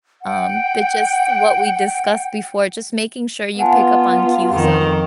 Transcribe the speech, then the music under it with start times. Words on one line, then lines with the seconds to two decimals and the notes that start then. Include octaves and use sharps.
um, but just what we discussed before, just making sure you pick up on cues of
0.23 F#5 G5
3.59 B3 F4 F#5 G#5 A5
4.50 F2 D#3